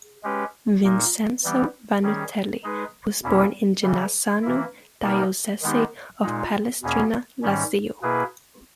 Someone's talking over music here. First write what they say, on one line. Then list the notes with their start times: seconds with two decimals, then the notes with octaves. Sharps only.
Vincenzo Vannutelli was born in Genazzano, Diocese of Palestrina, Lazio.
0.23 G#3 C#4 G4 B4
0.84 A#2 A#3 D#4
1.44 E3 G3 B3 G4
2.03 D#3 G3 C#4 G#4
2.64 G#3 D#4 G#4 B4
3.23 E2 B2 A#3 C#4 E4
3.83 C#3 E3 G3
4.42 E3 A#3 E4
5.02 B2 G3 A#3 D#4 A#4
5.62 D#3 G#3 B3 D#4 G4
6.23 A#2 G#3 D#4
6.82 E2 B2 A#3 C#4 G#4
7.42 G#2 D#3 G3 C#4
8.02 B2 A#3 E4 G#4 B4